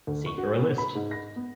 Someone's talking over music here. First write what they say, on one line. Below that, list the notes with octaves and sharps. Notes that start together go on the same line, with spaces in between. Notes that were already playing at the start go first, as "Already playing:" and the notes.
See for a list.
D2
C#6
F#4
B3
B5
G#2
A#6
B3